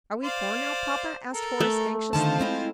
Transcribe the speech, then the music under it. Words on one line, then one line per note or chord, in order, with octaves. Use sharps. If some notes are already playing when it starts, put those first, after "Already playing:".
"Are we poor now, papa?" asked Horace anxiously.
C5 D5 F5
A4 A#4
A3
D3 D#3 F3 F4 C5 A5
G#3 C4 E4